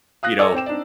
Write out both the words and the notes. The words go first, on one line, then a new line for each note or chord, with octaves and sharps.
you know
F5 D#6 F#6 A#6
A4 C#5 D#5 G#5 D6 E6
C4 G5 D6 E7
C4 D4 D#4 D5